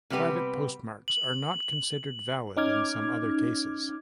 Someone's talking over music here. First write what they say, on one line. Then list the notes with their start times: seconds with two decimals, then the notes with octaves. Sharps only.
Private postmarks are not considered valid in some other cases.
0.10 C3 G3 B3 G4 B4
1.08 F#7
2.57 C#4 D#4 D6 F6 G#6